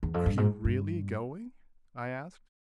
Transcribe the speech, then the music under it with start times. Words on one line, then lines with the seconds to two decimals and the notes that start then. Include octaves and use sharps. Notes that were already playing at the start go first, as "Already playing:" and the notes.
"Are you really going?" I asked.
0.03 E2
0.14 F2
0.26 G2
0.37 G#2
0.65 G2